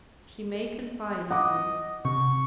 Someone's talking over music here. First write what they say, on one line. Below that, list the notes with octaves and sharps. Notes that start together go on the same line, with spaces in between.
She may confide in you.
D#5 F#5 D6
C3 C#6